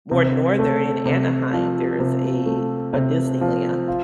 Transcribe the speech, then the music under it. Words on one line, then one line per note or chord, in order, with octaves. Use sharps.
more northern in Anaheim, there is a a Disneyland.
C3
A3
C3
F3
C3
A3
C3
F3
F4